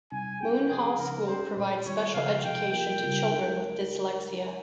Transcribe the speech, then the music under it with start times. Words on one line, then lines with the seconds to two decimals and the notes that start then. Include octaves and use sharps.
Moon Hall School provides special education to children with dyslexia.
0.12 C3 G3 C4 D#4 G#5
0.41 G3 C#4 G#4 G5
0.69 C3 F3 C4 G#4
0.98 C#3 F3 G#3 D#4 A#4
1.27 G#3 C#4 G#4 C5
1.56 A#2 G#3 C4
1.85 D#3 G3 C4 F4 C#5
2.14 C#3 F3 G#3 F5
2.43 C3 F3 C4 G5
2.72 F3 A#3 F4 A#4 G5
3.01 C#3 G3 C4 F4 A#4
3.30 G#3 D#4 A#4